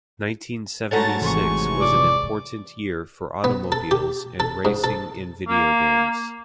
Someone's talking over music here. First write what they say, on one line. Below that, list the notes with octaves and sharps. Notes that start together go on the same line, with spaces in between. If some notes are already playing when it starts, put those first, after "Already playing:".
Nineteen seventy-six was an important year for automobiles and racing in video games.
G#2 F#3 A3 A5 A#5 A6
G#1 C3 E3 G#3 C#6
D5
B3
A4
G4
A4
G#2
A4
A#3